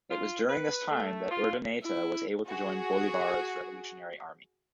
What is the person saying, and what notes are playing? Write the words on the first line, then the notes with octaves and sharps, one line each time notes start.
It was during this time that Urdaneta was able to join Bolivar's revolutionary army.
F4
B4
A3
F4
E4
F#4 G#4